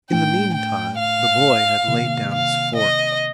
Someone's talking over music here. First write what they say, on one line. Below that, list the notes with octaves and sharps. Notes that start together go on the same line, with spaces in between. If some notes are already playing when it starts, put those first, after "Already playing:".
In the meantime the boy had laid down his fork.
A2 A3 D4 G5
G5
F5
C3 D#3 A#3
F5
D#5